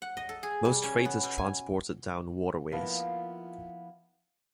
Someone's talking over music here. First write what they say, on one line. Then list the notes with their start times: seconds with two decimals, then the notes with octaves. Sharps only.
Most freight is transported down waterways.
0.02 F#5
0.17 D#5
0.29 A4
0.43 G#4
0.65 G3
0.84 C#4
1.05 B3
1.23 B2
1.38 G#5
2.72 F3 A#3 B3 E4 F4 A#4